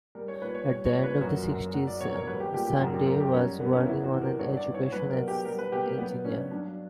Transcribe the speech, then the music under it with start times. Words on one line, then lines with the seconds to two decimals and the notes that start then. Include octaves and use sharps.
At the end of the sixties Sunde was working on an education as engineer.
0.15 G3 A#4
0.28 C#5
0.41 A#2 B4
0.55 C#5
0.68 G3 C#5
0.85 C#5
0.94 A#2
1.03 B4
1.21 F#2 F#4
1.48 F#2
1.74 F#3 F#4
1.87 D5
2.00 B2 C#5
2.14 A#4
2.27 G3 B4
2.40 G4
2.53 A#2 G4
2.67 G4
2.80 F#2 F#4
2.94 G4
3.07 F#2 A#4
3.20 G4
3.33 G3 C#4
3.59 B2 B3
3.73 C#4
3.86 E2 E4
4.04 F#4
4.13 E2
4.22 A#4
4.39 G2 C#5
4.57 D5
4.66 G2
4.74 C#5
4.92 F#3 B4
5.10 A#4
5.18 B2
5.28 G4
5.45 G3 A#4
5.58 B4
5.72 B2 G4
5.85 A#3
5.98 F#3 B3
6.25 G2 C#4
6.51 F#3 D4